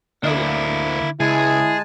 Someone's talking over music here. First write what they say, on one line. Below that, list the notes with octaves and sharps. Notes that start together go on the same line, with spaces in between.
Oh, yeah.
D2 A#3 D4 E4
C#2 G#3 E4 G#4 G#5 A5